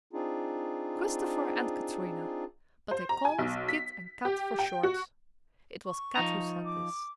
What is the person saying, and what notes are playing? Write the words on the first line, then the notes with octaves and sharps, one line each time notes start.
"Christopher and Katrina, but they call us Kit and Kat for short." It was Kat who said this.
C4 D4 D#4 F4 G#4
C5
A#5
G#5
B1
B6
G4
G5
F#4
C#6
F3 D#4 A#5
D6